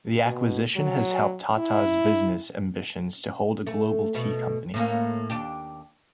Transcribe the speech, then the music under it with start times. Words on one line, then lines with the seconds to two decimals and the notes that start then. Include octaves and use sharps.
The acquisition has helped Tata's business ambitions to hold a global tea company.
0.25 B2
0.76 F#3
1.58 E4
3.67 A3
4.15 B2 A3
4.74 A2 A#3 C#4
5.30 D#2 D4 G4